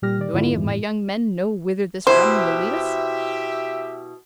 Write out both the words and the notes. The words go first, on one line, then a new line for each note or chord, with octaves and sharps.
"Do any of my young men know whither this run will lead us?"
A#2 G3 G4 F6 A#6
D#3 D5
G#2 D3 B3 E4 F4
F2 G#2 E3
A2
B2 E4 G4 C5 E5